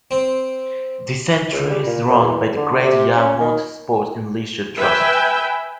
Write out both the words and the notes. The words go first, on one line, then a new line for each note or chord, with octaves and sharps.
The centre is run by the Great Yarmouth Sport and leisure Trust.
C4
C#2
G3
A#2
F#2
E2
D3
C3
C#4
D#3
B4 E5 G5 G#5